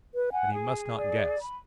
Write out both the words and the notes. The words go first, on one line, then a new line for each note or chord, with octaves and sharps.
"And he must not guess."
B4
F#5 G#5
G#4
D5
B5